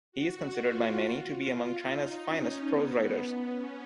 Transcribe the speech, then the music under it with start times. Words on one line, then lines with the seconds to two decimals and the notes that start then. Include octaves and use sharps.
He is considered by many to be among China's finest prose writers.
0.12 F#4
0.55 F4
1.39 F4
1.82 D#4
2.24 C#4
2.67 B3
3.52 C#4